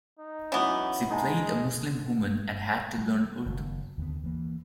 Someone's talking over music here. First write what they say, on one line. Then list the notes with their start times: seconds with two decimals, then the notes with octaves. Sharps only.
She played a Muslim woman and had to learn Urdu.
0.19 D#4
0.52 E3 F#3 B3 C#4
1.10 G#3 D#4 G#5 A5
2.98 G3 A3
3.46 F#1 D#3
3.98 D#2 D3 B3
4.24 E3 A#3